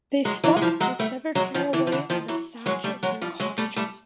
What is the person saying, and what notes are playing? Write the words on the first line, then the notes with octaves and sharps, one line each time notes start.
They stuffed the severed hair away in the thatch of their cottages.
F#3 G#3
E3 F#3
G#3
F3 G3
F#3 G#3
G3 A3
F#3 G#3
D#3 F3
D3 E3
F3
D3 E3
D#3 F3
E3 F#3
F#3 G#3
G3 A3
F#3 G#3
F3 G3
F#3 G#3
G3 A3
G3 A3